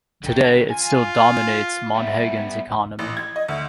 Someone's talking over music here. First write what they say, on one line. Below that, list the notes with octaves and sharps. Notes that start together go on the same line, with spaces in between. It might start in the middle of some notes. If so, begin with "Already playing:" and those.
Today, it still dominates Monhegan's economy.
D3 G5
F4 G#5
G3 B3 E5
A1
G#6
D#5
D2